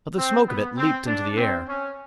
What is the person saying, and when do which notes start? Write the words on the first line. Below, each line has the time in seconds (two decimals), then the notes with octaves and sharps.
But the smoke of it leaped into the air.
0.17 C4
0.47 B3
0.77 C4
1.07 D4
1.37 C4
1.67 C#4